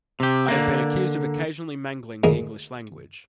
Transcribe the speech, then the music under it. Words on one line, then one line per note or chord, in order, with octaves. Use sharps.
I have been accused of occasionally mangling the English language.
C3 G4
D3 A#3
D2 G#3 A#3 G#4 A#5